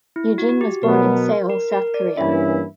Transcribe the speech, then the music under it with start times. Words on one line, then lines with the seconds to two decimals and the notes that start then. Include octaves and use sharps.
Eugene was born in Seoul, South Korea.
0.16 E4
0.38 F#4
0.49 F#4
0.61 G4
0.82 B2 F#3 B3 A#4
1.50 A#4
1.72 A#4
1.94 D5
2.17 G2 E3 A#3 C#4 E4 E5